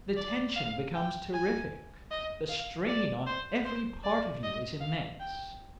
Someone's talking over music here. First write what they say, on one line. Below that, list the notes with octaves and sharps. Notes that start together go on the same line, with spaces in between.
The tension becomes terrific, the strain on every part of you is immense.
D5
F5
G5
G#5
D#5
F5
D5
C5
C5
D5
D#5
F5
G5